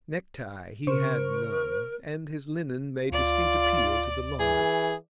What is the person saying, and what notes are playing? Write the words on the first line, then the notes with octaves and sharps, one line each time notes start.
Necktie he had none, and his linen made distinct appeal to the laundress.
C#3 A#4 C5 C#6
D2 F4 D5
E3 G#4